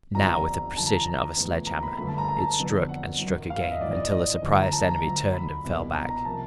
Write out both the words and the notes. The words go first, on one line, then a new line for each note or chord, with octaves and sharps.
Now with the precision of a sledge-hammer it struck, and struck again--until the surprised enemy turned and fell back.
G1 F2 D3 G3 A#5
A#5
F#2 D3 F3 A5
A#5
A#5
A#5
E2 C#3 F3 A3
A#5
B5
G2 D3 F#3 A3 B5
A5
A#5
A#5
A5
F2 D3 F#3 B3
F#5
G#1 F#2 D#3 F#3
F5
E5
D#5
A#1 G#2 E3 D5
D#5
D5
D#5
D2 D3 F3
A#5
A5
A#5
D2 D3 F#3
B5
C2 B2 G3 A#3
A#5
A#5
C3 F3 A#3 A5